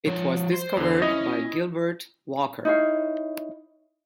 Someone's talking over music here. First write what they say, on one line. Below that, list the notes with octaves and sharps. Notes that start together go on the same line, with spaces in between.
It was discovered by Gilbert Walker.
F3 C#5
C5
E2 D3
C#4 E4 D#5
D#4 E4 C#5 F5